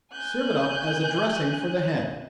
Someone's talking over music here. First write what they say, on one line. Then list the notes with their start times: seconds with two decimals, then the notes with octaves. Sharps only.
Serve it up as a dressing for the head.
0.12 G#5 F#6 G6